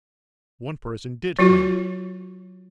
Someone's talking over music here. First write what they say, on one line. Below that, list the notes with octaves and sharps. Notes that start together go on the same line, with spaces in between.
One person did claim it.
F#3 F4 F#4 C#5